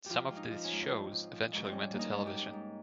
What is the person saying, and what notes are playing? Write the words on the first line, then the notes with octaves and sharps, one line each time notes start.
Some of these shows eventually went to television.
F3 F4 G4
G#2 F4
D#4
F3
C#4
G#2
C#4
G#2 C4
F3
F3
G#2
C4
G3 C#4
A#3
D#4
G#2
G4
G#2
G#2